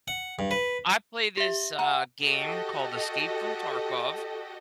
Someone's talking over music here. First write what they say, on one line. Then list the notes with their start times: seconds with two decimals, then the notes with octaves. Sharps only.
I play this, uh, game called Escape from Tarkov.
0.08 F#5
0.39 G2
0.51 B4
1.37 G4 E5
1.79 F#5 A#5
2.22 F#4 G4 A4 D#5